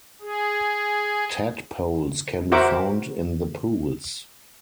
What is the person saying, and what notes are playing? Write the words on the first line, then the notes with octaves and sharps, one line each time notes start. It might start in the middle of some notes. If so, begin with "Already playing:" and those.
Tadpoles can be found in the pools.
G#4
F#4 A#4 C5 E5 F#5 D6